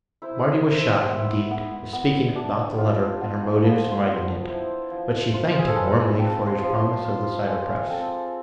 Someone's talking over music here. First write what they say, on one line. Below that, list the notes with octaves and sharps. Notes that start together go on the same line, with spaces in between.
Marty was shy, indeed, of speaking about the letter, and her motives in writing it; but she thanked him warmly for his promise of the cider-press.
E4 C5
E4 C5
B3 E5
B3
B3
D4
F4
B3
F3 B5
C6
B3
E4 C5
F3
F4 C5
F4
G#4
A4
G#3 B4
C4 A5
C6
F3
C6
F4 C6
G#3 F5
C4 A4